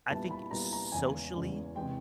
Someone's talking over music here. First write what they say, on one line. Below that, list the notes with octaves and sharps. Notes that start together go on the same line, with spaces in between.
I think socially,
A#2 G3 B3 E4 A5
B5
A#2 G3 B3 E4 A#5
A#5
E2 C#3 E3 G#3 C#4 G#5
E2 C#3 E3 G#3 C#4
C3 E3 G#3 G5